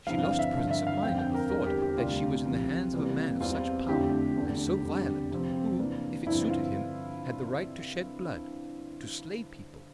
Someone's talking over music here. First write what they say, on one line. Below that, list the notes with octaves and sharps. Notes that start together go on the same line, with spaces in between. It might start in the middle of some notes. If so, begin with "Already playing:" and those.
She lost presence of mind at the thought that she was in the hands of a man of such power and so violent, who, if it suited him, had the right to shed blood, to slay people.
G2 D3 F3 C4 E4 F5
F5
E5
G2 D3 F3
E5
F5
F2 D3 F3 C4 G5
G5
A#4
E2 D3 G3 C4 A#4
G4
G4
D2 C3 G3 D4 F4
C2 C3 F3
C3 E3 G3 A#3
E2 E3 G3 C4 F4
F2 D3 A3 E4 G4
E2 D3 A3
F2 D3 G3
C3 F3 C4
C3 E3 A#3 D4
G2 D3 F3 C4 E4
F4